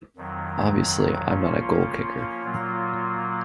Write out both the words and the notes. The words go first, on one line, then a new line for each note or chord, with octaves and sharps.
Obviously I'm not a goal-kicker.
F2 D#3 F#3
F3 A#3 C#4 F4
A#2 F#3 A#3 F4